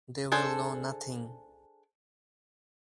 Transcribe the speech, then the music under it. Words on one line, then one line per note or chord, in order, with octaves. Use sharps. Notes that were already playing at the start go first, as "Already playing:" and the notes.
They will know nothing.
D4 G#4 A4 C5